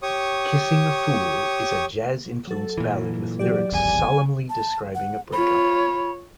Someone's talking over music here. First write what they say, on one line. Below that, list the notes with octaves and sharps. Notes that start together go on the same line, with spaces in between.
"Kissing a Fool" is a jazz-influenced ballad with lyrics solemnly describing a breakup.
G4 C#5 C#6 D#6
F#3 A4
A#2 E3
F#3 G4 D5
D1 G#1 E2 G#5
A5
F#5
F4 C#5 B5